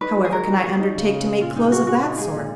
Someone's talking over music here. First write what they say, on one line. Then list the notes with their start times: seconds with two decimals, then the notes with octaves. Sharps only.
'However can I undertake to make clothes of that sort?
0.01 D#4 B4
0.17 F#4
0.25 G#4
0.32 G#3 A#4
0.48 F#4
0.64 F#4 G#4
0.79 D#4
0.95 C#3
1.10 C#3
1.25 G#3
1.41 A#2 F4
1.56 A#2 D#4
1.72 G#3 F#4
1.87 G#3 F#4
2.03 D#4
2.18 G#3 G#4
2.34 A#2